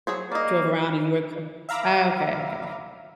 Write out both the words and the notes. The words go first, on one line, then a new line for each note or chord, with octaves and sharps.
drove around and you were co Oh, okay, okay.
F#3 G#4 C5
A#3 D5 D#5
E5 F5 A#5 B5 D6